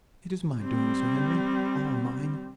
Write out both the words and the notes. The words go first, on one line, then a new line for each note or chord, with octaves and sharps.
It is my doing, Sir Henry--all mine.
G3 C4